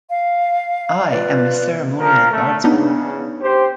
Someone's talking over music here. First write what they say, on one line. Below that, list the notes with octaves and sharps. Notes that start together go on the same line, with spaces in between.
I am a Ceremonial Guardsman.
F5
F4 B4 D5
A#2 F3 A#4
A3
E2 C#3 B3 D4 D#4
G4 C5